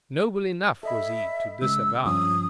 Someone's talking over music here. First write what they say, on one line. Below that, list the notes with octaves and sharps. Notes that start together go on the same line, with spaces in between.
Noble enough was he to disavow!
A4 D#5 E5 B5
C#3 G#3 E6
G2 F3 C#4 D#6